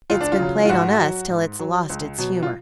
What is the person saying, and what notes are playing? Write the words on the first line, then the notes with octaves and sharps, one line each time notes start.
"It's been played on us till it's lost its humor."
C#2 F4
D4
F4
C#3 F#3
F4
G#2 F#4
F#3
G#2
F#3
C#2
B2 F#3
F4